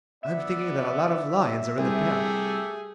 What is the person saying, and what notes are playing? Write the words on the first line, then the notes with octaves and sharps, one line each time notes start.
"I'm thinking that a lot of lions are in the path."
B3 D5 E5
C2 A3 G4 G#4